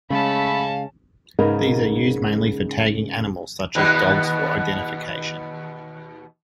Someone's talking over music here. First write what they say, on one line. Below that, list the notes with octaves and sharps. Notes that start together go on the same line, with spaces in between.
These are used mainly for tagging animals, such as dogs for identification.
C#3 G#3 A3 C#4 F5 A5 B5
G#2 C#3 A#3 D#4 A#4 B4
D#2 B2 B3